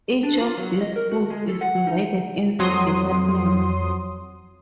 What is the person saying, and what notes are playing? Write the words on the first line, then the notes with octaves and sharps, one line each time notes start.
Each of these schools is divided into departments.
D4
F4
F#3
D#5
A#4
F#4
G#3
A4
F#5
D#4
F2 F#3 C6 D#6